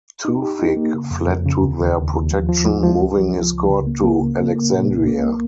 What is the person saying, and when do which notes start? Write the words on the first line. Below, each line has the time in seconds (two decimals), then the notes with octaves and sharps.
Tewfik fled to their protection, moving his court to Alexandria.
0.25 D#4
0.42 G4
0.59 D#4
0.76 A#3
0.94 C#3
1.11 F2
1.28 F2
1.46 C#3
1.62 D#2
1.80 D#2
1.97 D#2
2.14 D#2
2.31 F3
2.48 F3
2.66 G#3
2.83 F3
3.01 C#2
3.18 F3
3.35 F3
3.52 C#2
3.69 C#3
3.87 A#3
4.04 A#3
4.21 C#3
4.38 A#3
4.55 A#3
4.72 A#2
4.89 C2
5.07 A#3
5.24 A#3